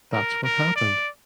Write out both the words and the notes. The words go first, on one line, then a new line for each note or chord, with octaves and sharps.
That's what happened.
A#4
A#4
D5